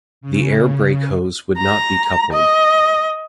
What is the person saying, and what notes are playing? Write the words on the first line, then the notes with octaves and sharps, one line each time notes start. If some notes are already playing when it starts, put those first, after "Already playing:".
The air brake hose would not be coupled.
C#3
A#5
D#5